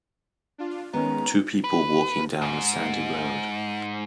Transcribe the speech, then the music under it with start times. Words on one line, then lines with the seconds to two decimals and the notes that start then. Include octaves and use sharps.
Two people walking down a sandy road.
0.58 D4 F4
0.93 D#3 G#3 B3 C#4 A#5
1.64 B4
2.42 G#2